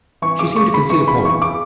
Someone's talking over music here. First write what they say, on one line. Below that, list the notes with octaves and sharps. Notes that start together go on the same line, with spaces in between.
She seemed to concede a point.
E3 C#6
C#3 D6
C#3 C#6
C#3 B5
E3 C#6
C#3 B5
E3 C#6
C#3 D6